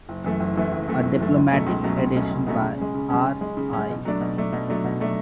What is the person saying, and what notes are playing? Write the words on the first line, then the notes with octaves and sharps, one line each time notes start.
A diplomatic edition by R. I.
F#1
F#2 E3 A3
F#1
F#2 E3 A3
F#1
F#2 E3 A3
F#1
F#2 E3 A3
C#2
B2 F#3 A3 C#4
C#2
B2 F#3 A3 C#4
C#2
B2 F#3 A3 C#4
C#2
B2 F#3 A3 C#4
C#3
G#3 C#4
C#3
G#3 C#4
C#3
G#3 C#4
C#3
G#3 C#4
B2
F#3 A3 D4
B2
F#3 A3 D4
B2
F#3 A3 D4
B2
F#3 A3 D4